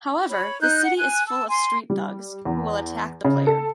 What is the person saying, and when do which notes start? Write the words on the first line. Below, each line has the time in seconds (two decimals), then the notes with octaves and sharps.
However, the city is full of street thugs who will attack the player.
0.29 C#5 B5
0.61 D#4 F#6 G6
0.84 F#5
0.97 G#5 F#6
1.27 A5 E6
1.48 G#5 C6
1.90 G3
2.45 E2
3.24 C#3
3.47 A4